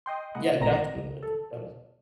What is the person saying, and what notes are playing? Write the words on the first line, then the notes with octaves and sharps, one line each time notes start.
Yeah, definitely does.
D#5 G5 C6
C2 G#3 A#3 E4 D#5 F#5
G#1 A#2 A3 C4 A#5 A#6
C#2
A4